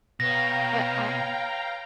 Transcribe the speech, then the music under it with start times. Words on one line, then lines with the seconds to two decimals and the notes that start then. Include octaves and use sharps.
but, I
0.20 B2 B4 C#5 F5 G5 A#5 A#6